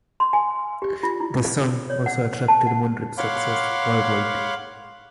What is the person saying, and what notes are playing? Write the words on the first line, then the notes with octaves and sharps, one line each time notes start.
The song also attracted moderate success worldwide.
C6
G#5
G4
F4
E4
C#5
F#5
A5
F#5
C#5 F5 F#5 B5 C6 D6